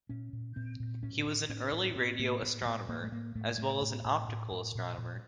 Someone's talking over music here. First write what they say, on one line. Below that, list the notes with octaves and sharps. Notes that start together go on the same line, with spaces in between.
He was an early radio astronomer, as well as an optical astronomer.
A#2 C#4
A#2
A#2 C4
A#2
A2 C#4
A2
A2 C#4
A2
A2 C4
A2 A#3
A2 B3
A#3
A2 B3
A2 A#3
A3
A2 A#3
A2 A3
A2 A3
A2
A2
A2
A2
A#2
A#2